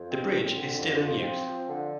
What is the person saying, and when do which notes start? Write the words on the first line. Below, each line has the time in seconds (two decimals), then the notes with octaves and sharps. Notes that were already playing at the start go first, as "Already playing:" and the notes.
The bridge is still in use.
Already playing: F2
0.11 C4
0.32 C4
0.55 D3
0.77 F2
1.00 F3
1.22 C4
1.45 F3
1.68 D3